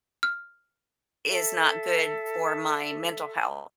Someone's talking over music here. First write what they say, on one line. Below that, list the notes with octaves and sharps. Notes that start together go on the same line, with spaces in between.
is not good for my mental health."
F6
A4 E5